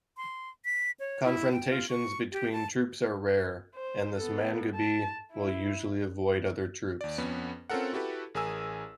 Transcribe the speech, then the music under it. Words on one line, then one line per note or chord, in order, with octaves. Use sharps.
Confrontations between troops are rare, as this mangabey will usually avoid other troops.
C6
B6
C#5
E4
G5
F4
C#6
G4
A5
C5
B3 A4
A5
E4
D#2 D5
F2 B3 C#4 B4
C4 C#4 F4 A4 A#4 F#5
E4 F#4 G4 A4 B4
A1 G#4 A#4 G#5 E6